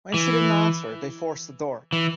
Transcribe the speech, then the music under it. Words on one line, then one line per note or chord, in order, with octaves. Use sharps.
When she didn't answer, they forced the door.
E3
E3